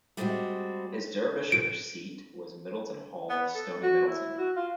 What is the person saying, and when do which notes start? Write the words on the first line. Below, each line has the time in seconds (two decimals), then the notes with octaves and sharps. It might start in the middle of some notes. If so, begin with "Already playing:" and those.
His Derbyshire seat was Middleton Hall, Stoney Middleton.
0.17 G3 G#3 C4 F4 F#4
1.52 D7
3.29 B3
3.54 A4
3.83 F#4
4.07 E4
4.38 F#4
4.56 F4